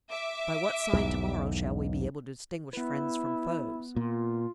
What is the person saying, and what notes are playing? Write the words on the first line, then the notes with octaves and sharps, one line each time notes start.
"By what sign to-morrow shall we be able to distinguish friends from foes?"
E5 D6
B1 E2 G#2
B3 E4 B4
A#2 F4